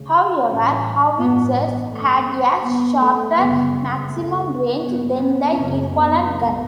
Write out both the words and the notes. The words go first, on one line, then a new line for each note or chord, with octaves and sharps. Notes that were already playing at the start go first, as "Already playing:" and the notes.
However, howitzers had a shorter maximum range than the equivalent gun.
Already playing: D2 C#3
A1 G2 C#4
A1 G2 B3
B3
G1 G2 A3
G1 G2 B3
A3
G1 F#2 C#3 B3
D2 C#3 A3
G1 G2 B3
B3
F#1 F#2 C#3 C#4
B3
B1 A2